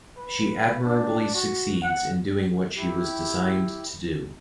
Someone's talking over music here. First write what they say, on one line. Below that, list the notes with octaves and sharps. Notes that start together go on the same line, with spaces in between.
She admirably succeeds in doing what she was designed to do.
B4
D4
F#4
F#5
E4 G4